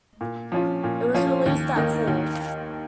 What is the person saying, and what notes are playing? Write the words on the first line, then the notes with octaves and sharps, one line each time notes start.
It was released that fall.
A#2
F3 C#4 F4
A#2
F3 C#4 F4
D#2
D#3 A#3 D#4
D#2